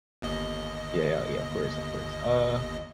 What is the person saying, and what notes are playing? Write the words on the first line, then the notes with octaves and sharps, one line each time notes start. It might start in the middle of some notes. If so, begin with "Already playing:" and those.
Yeah, yeah, yeah, of course, of course, uh
G1 D#2 D#5